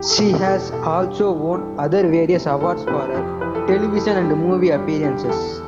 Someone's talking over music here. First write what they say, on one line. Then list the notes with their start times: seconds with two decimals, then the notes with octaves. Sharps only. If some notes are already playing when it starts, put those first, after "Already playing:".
She has also won other various awards for her television and movie appearances.
Already playing: E2 G4
0.10 A4
0.19 B2
0.28 G4
0.38 G4
0.45 E2 A4
0.72 B2 A4
0.99 G2 G4
1.26 E3
1.54 G2 A4
1.80 E3
2.07 D2
2.34 C3 E3
2.61 D2 A4
2.87 C3 E3 G4 B4
3.14 F2 G4
3.41 E3 B4
3.55 A4
3.68 F2 G4
3.95 E3 A4
4.22 G2 G4
4.49 D3
4.76 G2 G4
5.03 D3 G4
5.24 G4
5.29 E2 A4